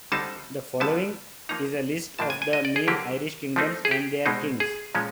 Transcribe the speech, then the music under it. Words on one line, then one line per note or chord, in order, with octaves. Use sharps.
The following is a list of the main Irish kingdoms and their kings.
D3 G3 C4 D#4 A5
D3 G3 B3 A5
F3 A#3 D#4 A#5
A2 F3 A#3 D4 A5
G#5
G#5
D#5
D5
G#4
D3 F#3 A#3 G4
F3 A3 C4 D#4
G#4
G4
B2 G#3 C4 D#4
G#4
A#2 F3 G#3 C#4